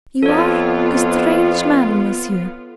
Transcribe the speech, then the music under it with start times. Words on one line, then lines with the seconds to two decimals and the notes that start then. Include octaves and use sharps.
"You are a strange man, monsieur...."
0.23 F2 B3 F4 A4 C#5